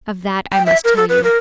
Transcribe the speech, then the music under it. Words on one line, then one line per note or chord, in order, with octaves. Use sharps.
Of that I must tell you.
G5
E5
A#4
A4
B4
A#4